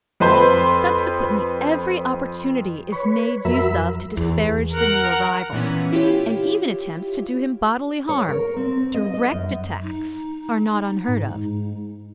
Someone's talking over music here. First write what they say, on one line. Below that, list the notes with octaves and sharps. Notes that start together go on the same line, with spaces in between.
Subsequently every opportunity is made use of to disparage the new arrival, and even attempts to do him bodily harm, direct attacks, are not unheard of.
F2 B4 C5 C6
B4 C#5
F2 F#3 A#4 E5 B5
E2
A#4 F#5
A#2 E3 B3 C#4
E4 F4 G4 C#5
C#5
A#4
C4
D#5
D#5
F#2
D#4
G#2